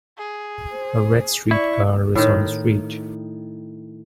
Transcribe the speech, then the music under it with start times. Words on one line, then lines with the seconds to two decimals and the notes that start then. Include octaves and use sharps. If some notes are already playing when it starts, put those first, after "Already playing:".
A red streetcar is on the street.
0.18 G#4
0.70 C5
1.51 E4 D5 C#6
2.15 A2 D#3